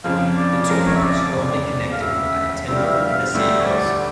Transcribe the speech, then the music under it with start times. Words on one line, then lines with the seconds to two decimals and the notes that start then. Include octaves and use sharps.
The two parts were only connected by a tendril in the Sandhills.
0.04 F2 C#3 F3 F5
0.37 D5
0.70 F2 C#3 F3 A#4
0.86 C#5
0.96 E5
1.03 D5
1.19 D5
1.36 E1 D2 C#3
1.92 F5
2.02 E1 D2 C#3 E5
2.68 D2 D3 G3 D4 G4 E5
2.78 F5
2.87 E5
3.00 F5
3.34 D2 D3 G3 D4 G4 E5
3.60 C#5
3.67 D5
3.93 D5